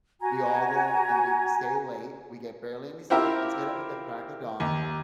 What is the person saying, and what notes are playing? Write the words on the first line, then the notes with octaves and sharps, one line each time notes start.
we all go and we stay late, we get barely any sleep, the kids get up at the crack of dawn,
F#4 G#5 A#5
C4 E4 F4 G4 A#4 E5
D#2